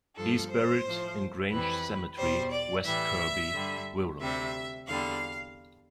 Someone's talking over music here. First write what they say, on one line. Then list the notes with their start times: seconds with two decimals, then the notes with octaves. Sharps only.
He is buried in Grange Cemetery, West Kirby, Wirral.
0.16 G2 F3 A4
0.50 C5
0.83 A2 F3
1.51 F2 E3 G3 B4
2.18 E2 B2 G3 C5
2.52 D5
2.85 A2 E3 G3 E5
3.52 G2 D3 G3
4.20 D2 C3 G3 E5
4.87 E2 D3 G3 F5